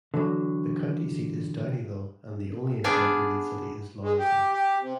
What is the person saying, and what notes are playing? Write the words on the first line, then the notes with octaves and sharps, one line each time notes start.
The county seat is Downieville, and the only incorporated city is Loyalton.
D3 E3 F#3
B3 D4 G#4 D5 F5 G#5
G#3
G4
G4
C3